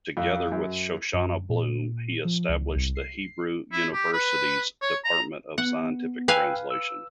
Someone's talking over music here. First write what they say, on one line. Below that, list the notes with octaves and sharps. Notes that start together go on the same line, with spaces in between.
Together with Shoshana Bloom, he established the Hebrew University's Department of Scientific Translation.
F2
F#2
F#2
A#2
F3
C#2
C2
C7
E4
G4
B4
C#5
A#5
B3 F#5
B4 F5 G5 G#5 E6 F#6
E6